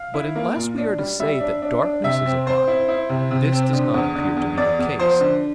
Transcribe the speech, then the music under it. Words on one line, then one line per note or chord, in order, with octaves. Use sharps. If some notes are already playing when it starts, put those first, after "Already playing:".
But unless we are to say that darkness is a body, this does not appear to be the case.
Already playing: F5
E4
A#3
A#2
D4
G3
G3 E5
D4
D4
D4
C3 E5
C4
C4 C5
E4
E4
C3
C3
C4
D3
E2
D3
E2
E2 D5
E2
F3 C5
D3